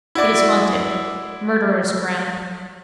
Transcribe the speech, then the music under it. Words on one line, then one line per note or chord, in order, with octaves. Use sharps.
It is haunted. Murderer's ground.
E4 F#4 D5 D6